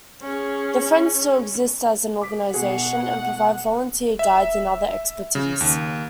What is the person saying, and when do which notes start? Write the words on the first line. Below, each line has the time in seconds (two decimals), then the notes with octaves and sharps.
"The Friends" still exist as an organisation, and provide volunteer guides and other expertise.
0.23 C#4 G#4
2.21 D6 B6
2.54 B2 G#4 F#5
4.19 E5
5.35 C#3
5.61 D#2